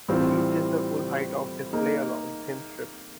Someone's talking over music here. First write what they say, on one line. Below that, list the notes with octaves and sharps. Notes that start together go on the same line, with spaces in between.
Each is the full height of the display-a long, thin strip.
A2 E3 G3 C4 F4
A#3 D#4 G#4